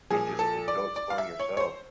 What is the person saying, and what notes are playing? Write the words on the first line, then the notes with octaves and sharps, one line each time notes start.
and just g go exploring yourself
A#2 F3 G#4
A4
D5
D5
F5
E5
C#5
C#5
C5